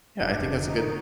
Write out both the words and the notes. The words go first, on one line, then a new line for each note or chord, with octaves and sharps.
Yeah, I think that's a good
F1 D4 F4
F1
D3 D#4 F#4